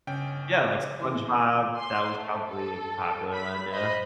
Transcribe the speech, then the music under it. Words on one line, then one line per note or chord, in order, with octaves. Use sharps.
Yeah, like, SpongeBob, that was probably popular then, yeah.
G1 C#3 C#4 G5
D6
C#3 E3
C6
A3
A4
B5 B6
C5 D#5 B5